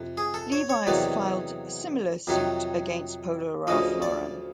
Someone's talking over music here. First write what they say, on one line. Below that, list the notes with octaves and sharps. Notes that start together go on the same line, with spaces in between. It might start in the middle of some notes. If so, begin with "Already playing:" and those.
Levi's filed similar suit against Polo Ralph Lauren.
Already playing: F2 C3
G#4
A4
C#5
C#5
E2 C3 D#3 F#3 D5
F2 C3 D#3 F#3
D2 C#3 F3 D#5
D5